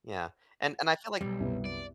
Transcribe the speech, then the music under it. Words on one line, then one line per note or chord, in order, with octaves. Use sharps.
yeah, and and I feel like
B1 F2 G3
C2 F#2 B3
D5